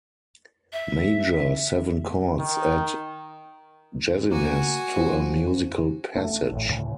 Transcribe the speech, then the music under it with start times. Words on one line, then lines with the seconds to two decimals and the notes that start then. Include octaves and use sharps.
Major seven chords add jazziness to a musical passage.
0.73 E5
2.39 D#3
4.31 A#3 F#4 G#5
4.96 F3
6.17 A3
6.52 A1 A2
6.69 D2 A2 C#3